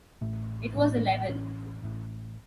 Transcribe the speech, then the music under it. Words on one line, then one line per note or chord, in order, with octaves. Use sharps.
It was a Level.
A1 A2 A3
A1 A2
A1 A2 C#4
A1 A2